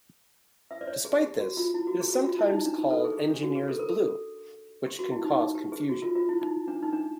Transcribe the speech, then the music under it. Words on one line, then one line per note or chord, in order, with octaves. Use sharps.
Despite this, it is sometimes called engineer's blue, which can cause confusion.
E5
D5
C#5
G#4
G4
F#4
F4
E4
F#4
G#4
F#4
F4
E4
D#4
D4
D#4
A4
G#4
G4
D4
F#4
G#4
A4
A#4
A4
G4
F#4
E4
D#4
D#4
G4
G#4
F#4
F4
F4
E4
D#4
D4
D#4
D4